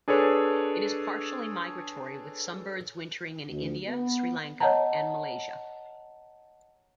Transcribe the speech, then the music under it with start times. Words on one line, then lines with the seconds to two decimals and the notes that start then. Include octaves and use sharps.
It is partially migratory, with some birds wintering in India, Sri Lanka and Malaysia.
0.08 D4 G#4 A4 B4 C#5
3.49 D2
3.88 B3
4.60 C#5 D#5 F#5 A5 A#5